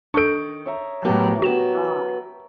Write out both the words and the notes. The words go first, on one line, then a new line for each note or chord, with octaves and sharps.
Oh god.
D#3 D4 A4 D#5 C#6 G6 D7
C#5 E5 A#5
A2 G#3 B3 G4 A#4 A5 A#5
F#3 B3 F#4 G4 E7